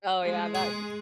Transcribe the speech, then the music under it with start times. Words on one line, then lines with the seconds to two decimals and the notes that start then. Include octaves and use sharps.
Oh, yeah. That
0.22 G#3
0.55 G#4